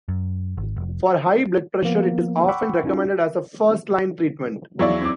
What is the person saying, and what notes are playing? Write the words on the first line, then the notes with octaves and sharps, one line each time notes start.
For high blood pressure it is often recommended as a first line treatment.
F#2
G#1
F1
F3 A#3 B3
F#5 G5 B5 C#6 D6 E6
C#4 D#4 F4 F#4
E2 F#3 E4 D5 F5 C#6
C4 D6